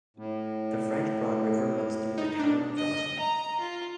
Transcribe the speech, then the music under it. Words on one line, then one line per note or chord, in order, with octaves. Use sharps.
The French Broad River runs through the town of Rosman.
A2
D#4
D4
D#5
A#5
F4